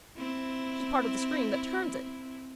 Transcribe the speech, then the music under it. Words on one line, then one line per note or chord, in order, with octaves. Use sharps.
She's part of the stream that turns it.
C4 E4